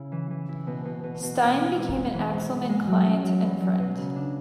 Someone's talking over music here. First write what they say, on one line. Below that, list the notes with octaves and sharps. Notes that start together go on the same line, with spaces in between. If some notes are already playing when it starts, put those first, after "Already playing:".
Stein became an Axelman client and friend.
Already playing: C#3 E4
E3
E3
E4
B2
B2
B2
B2
B2
E4
G#2
G#2
E3
G#2
E3
G#3
F#3
C#4
F#3
E2
F#3
B2
C#3
D4